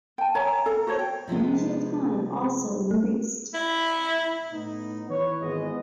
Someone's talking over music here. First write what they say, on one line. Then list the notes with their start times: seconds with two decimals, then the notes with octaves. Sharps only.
Leisure time also increased.
0.18 G5 A5
0.35 C#5 E5 G#5 A#5
0.66 A4 F5 A#5
0.87 F#4 A4 C5 C#5
0.99 G5
1.27 C3 F3 G#3 B3
2.91 A3
3.54 E4
4.52 A2 B3 D#4
5.09 E3 B4 C#5
5.41 G#1 E3 G#3 B3 D#5